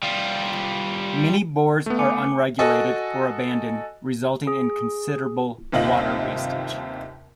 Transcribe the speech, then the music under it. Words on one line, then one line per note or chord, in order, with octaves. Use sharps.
Many bores are unregulated or abandoned, resulting in considerable water wastage.
G3 F4
A3 B3
G#5 D6 C#7
F#4 A4 D#5 G#5
G#4
G1 D#2 C3 F4 D#5 F#7